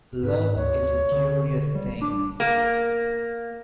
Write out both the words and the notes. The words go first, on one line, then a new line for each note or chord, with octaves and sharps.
Love is a curious thing.
G#2 B4
D2 C#5
D3
G3
D4 D6
A#3